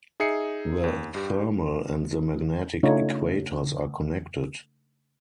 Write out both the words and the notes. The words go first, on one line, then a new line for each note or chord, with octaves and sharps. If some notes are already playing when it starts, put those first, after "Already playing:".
The thermal and the magnetic equators are connected.
D#4 G#4 E5 C7 C#7
D#2
G2 G4
C#3 A3 D4 D#4 F4 C#5